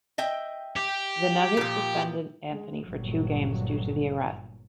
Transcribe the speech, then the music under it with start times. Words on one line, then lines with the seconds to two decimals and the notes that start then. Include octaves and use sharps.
The Nuggets suspended Anthony for two games due to the arrest.
0.18 D#5 E5 G5
0.76 G4
1.57 A#2 F3
2.51 G#3
2.87 G1 G2 A#2 F#3